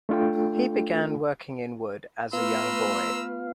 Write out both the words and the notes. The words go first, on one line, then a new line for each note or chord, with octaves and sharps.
He began working in wood as a young boy.
A3 D4 F4 A4 G5
A3 B3 F4 B4 F5 A#5 C6 E6